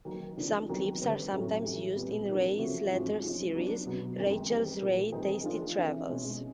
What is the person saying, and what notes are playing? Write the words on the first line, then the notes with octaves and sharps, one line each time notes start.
Some clips are sometimes used in Ray's later series, "Rachael Ray's Tasty Travels".
D#3 F#3 A#3
C#3 F3 A#3 D4
D#3 F#3 B3
D3 G3 C4
A2 F#3 A3 C#4
A2 E3 G3
A#2 G3 B3
C3 F3 A#3 D4
C#3 F3 A3 C#4 F#4
G#2 F3 G#3 C#4 F#4
C3 F3 G#3 C#4
F#3 B3 D4
B2 F#3 B3
F#2 D#3 G#3
D#3 G3 C4
A#2 F3 A#3
D#3 G3 C4 D#4 G#4
F3 A#3 D4 F4 G#4
C3 E3 A3 D4
B2 G#3 C#4